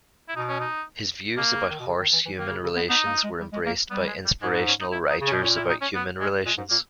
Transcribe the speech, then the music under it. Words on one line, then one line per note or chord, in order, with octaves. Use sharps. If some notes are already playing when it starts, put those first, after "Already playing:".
His views about horse-human relations were embraced by inspirational writers about human relations.
E4
B2 D#4
C#4
D#4
B2 A#3
C#3
D#3
B2
C#3
D#3
E3
E3
D#3 A#3
C#3
C#3
B3
B3 D#4
A#3
G#3
G3
G#3
A#3
G3 B3
G#3
G3
G#2 G#3
B3
C#4
D#4
E4
D#4
C#3
C#4
B2
A#2 C#4
E4
D#4
C#4
B3
G#3
A#2 G#3
G#2
A#2 A#3